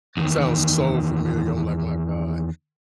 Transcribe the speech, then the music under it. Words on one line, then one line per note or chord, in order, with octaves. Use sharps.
sounds so familiar. I'm, like, "My god,
E2 D#3